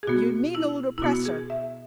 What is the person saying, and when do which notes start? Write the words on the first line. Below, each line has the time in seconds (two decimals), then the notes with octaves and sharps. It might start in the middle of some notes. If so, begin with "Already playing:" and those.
"You mean ole oppressor!"
0.03 G#4
0.07 B2 B3 F#4
0.55 E4
0.98 E4
1.02 B2 B3 F#4
1.25 G#4
1.50 E5